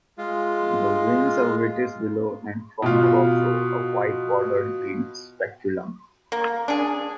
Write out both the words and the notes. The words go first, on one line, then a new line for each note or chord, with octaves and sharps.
The wings are whitish below, and from above show a white-bordered green speculum.
G#3 F4
B2 F4
A#3
D4 G#4